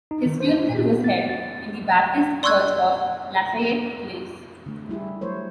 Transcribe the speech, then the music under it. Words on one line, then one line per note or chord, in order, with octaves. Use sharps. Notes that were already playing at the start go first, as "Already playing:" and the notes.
His funeral was held in the Baptist Church on Lafayette Place.
D#4
D#3
C5
D4
A#2
B3
A6
A6
D5 C6 C#6 E6 F#6 G#6
D3 A3
G3 E4 G4 G#4
F#3 A3 A#4 C5 C#5